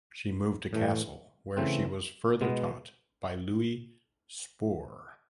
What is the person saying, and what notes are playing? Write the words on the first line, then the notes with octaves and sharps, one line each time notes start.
She moved to Kassel where she was further taught by Louis Spohr.
A2 E3 A3
C#3 E3 A3 C4
B2 G#3 B3